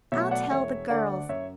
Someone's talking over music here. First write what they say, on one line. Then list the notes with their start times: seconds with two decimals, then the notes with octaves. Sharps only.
I'll tell the girls.
0.12 B2 F#3 A3 C#5 E5
0.31 D5 F#5
0.51 E1 C#5 E5
0.90 D2 D3 A3 D5 F#5
1.29 F#2 C#5 E5